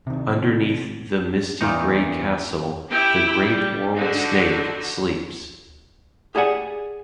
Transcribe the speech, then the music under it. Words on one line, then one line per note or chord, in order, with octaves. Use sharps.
Underneath the misty grey castle, the Great World Snake sleeps.
C3 D#3
E2 A#2 D#3 D#4
E4 G4 G5
G3
D3 D#4 F#4
G4 G#4 D5 F#5 G#5